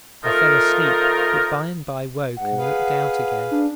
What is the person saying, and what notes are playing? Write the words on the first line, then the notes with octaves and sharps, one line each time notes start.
I fell asleep, but by and by woke and looked out again.
F3 A3 D#4 F4 A#4
G#2 F#5
G#4 B4 F5
D4